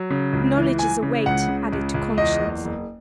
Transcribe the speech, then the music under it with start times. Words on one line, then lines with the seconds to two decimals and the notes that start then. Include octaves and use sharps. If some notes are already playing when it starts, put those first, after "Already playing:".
"Knowledge is a weight added to conscience."
Already playing: F#3
0.11 C#3
0.33 C#2
0.57 E3
0.79 E3 G#5
1.03 C#3
1.26 C#2 F#5
1.48 C#3
1.73 C#2
1.94 C#2
2.18 E2 D#5
2.41 F#1
2.65 F#1